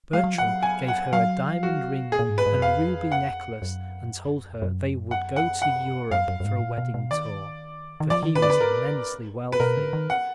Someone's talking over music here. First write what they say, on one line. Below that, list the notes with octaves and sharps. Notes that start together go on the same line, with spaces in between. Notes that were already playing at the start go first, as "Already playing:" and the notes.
Bertram gave her a diamond ring and a ruby necklace and told her they would go to Europe for a wedding tour, for he was immensely wealthy.
G#3 F5
F#3
F3 F#5
F#3
G#5
F#5
F#3 F5
F#4
G#4
A#2
G#2
B4
G#2
F#2
F2 F5
F#5
F#2
F2
F#2
F#5
F#5
F#5
F#2 F5
F#2
F#2
G#2
A#2
B2
B2
D#3 D5
D#3
F3 D5
D#3
D#3 B4
D5
D3 B4
A#4
B4
B2 A#4
D3
D#3
F#5